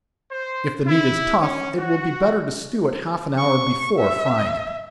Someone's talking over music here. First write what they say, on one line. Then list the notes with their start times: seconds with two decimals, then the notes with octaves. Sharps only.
If the meat is tough, it will be better to stew it half an hour before frying it.
0.32 C5
0.86 E4
1.42 C#4
1.77 F#4
3.38 C#6
3.99 E5